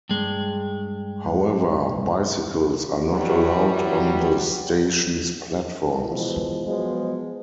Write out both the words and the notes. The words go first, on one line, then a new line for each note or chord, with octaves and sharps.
However, bicycles are not allowed on the station's platforms.
G2 G#3
E3 F#3 G3 E4 F#4
B2 E3 F3 G#3
F3 F#3 G#3 B3